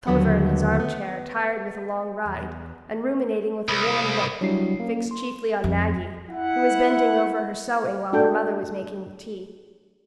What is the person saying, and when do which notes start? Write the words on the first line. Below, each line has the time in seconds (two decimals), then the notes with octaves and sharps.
Tulliver in his arm-chair, tired with a long ride, and ruminating with a worn look, fixed chiefly on Maggie, who was bending over her sewing while her mother was making the tea.
0.07 D#2 D3 F#3 B3 B4 F#5
0.80 B3
2.26 E2
3.68 C2 B5 D#6
4.41 F#3 G3 D4 E4 C7
4.80 A#3 C#4
5.11 C6
5.64 F2
6.30 E4 F#5
8.13 A3 D4 F#4 A4 G5